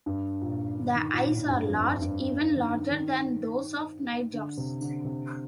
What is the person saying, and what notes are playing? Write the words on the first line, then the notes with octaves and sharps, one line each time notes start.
The eyes are large, even larger than those of nightjars.
G2
A#2
D3
D#3
A#2
A2
G2
F2
G2
G2
D#3
D#3
D3
C3
D3
C3